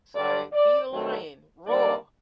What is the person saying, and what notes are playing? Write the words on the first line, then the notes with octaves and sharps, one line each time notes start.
So, be the lion, roar.
G2 D3 G3 D5
D5
G2 D#3 F#3 A3
D3 G3 A#3 D#4 D5